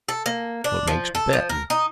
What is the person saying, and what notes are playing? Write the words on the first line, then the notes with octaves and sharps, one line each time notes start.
What makes bettin'?
A4
A#3
D4
F3
A4
F3
A#4
D#4